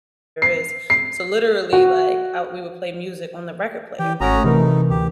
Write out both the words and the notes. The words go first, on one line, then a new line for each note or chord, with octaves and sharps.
is, so literally, like, uh, we would play music on the record player.
C7
C7
F#4
E3 G4 G5
G#1 A3 C#4 F#4 A#5 D#6 D7
C3 E3 D#4 A#4
D2 G4